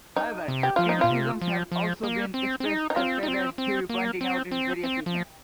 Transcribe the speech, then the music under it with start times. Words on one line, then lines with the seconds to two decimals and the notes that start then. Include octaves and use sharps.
However, criticisms have also been expressed of Faivre's theory, pointing out its various weaknesses.
0.16 D#4
0.48 C3
0.63 G4
0.76 F3 F4
0.89 D#4
1.01 A#2 F4
1.10 C3
1.41 F3
1.72 F3
2.04 A#3
2.34 C4
2.60 C4
2.66 D#4
2.90 D#4
2.96 C4 F4
3.23 D#4
3.28 C4
3.58 C4
3.89 A#3
4.21 C4
4.51 C4
4.84 C4
5.06 F3